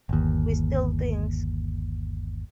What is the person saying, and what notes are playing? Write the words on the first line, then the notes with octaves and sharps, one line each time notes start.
We Steal Things.
G1 D#2